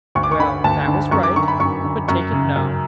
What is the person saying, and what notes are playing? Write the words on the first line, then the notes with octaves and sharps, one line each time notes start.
Well, that was right, but take it now.
D2 C#6
D6
C#6
D3 B5
D2 A5
D3
F#2 C#6
D6
D3 C#6
B5
F#2 C#6
D3
F#2 C#6
C#3
F#2